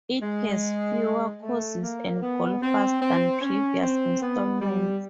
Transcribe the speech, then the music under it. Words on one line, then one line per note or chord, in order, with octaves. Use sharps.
It has fewer courses and golfers than previous installments.
G#3
A3
A#3
B3
C4
C4
C#4
C4
B3
G3